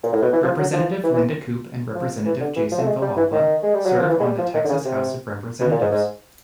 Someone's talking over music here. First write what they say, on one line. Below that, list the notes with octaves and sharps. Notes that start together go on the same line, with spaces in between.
Representative Linda Koop and Representative Jason Villalba serve on the Texas House of Representatives.
A#2
A2
B2
E3
F3
F#3
F3
E3
E3
F3
E3
D3
E3
F3
A3
G#3
G3
E3
D#3
G#3
G3
F#3
F3
E3
G#3
G3
F3
D#3
D3
C#3
C3
B2
A#2
G#2
G#2